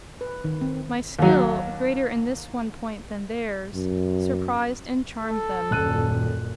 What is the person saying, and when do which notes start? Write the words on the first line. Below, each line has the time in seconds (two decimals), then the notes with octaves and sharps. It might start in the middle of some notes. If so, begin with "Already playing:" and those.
My skill, greater in this one point than theirs, surprised and charmed them.
0.21 B4
0.44 D#3
0.61 C4
1.19 D#2 F#3
3.75 F#2
5.21 A4
5.71 D#1 F#2 A#2 F#6 D#7